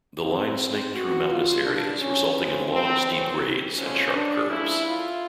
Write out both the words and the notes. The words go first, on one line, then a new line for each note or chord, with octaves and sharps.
The line snaked through mountainous areas, resulting in long steep grades and sharp curves.
E2 C3 D#3 C4
B2 G#3 B3 F#4
F4
B2 G3 A#3 D4
C#4
F2 C#3 E3 G#3 B3 C4
C4
F#2 C#3 E3 G#3 C4
F2 D3 F3 G#3 C#4
D4
C#3 F3 A3 E4
F4